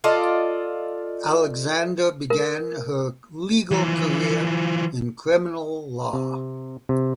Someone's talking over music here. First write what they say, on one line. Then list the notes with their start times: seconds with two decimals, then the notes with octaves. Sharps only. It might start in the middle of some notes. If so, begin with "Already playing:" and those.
Alexander began her legal career in criminal law.
0.04 F4 A4 D5 D#5
2.30 A#4
3.71 E3 F3
6.13 C3
6.89 C3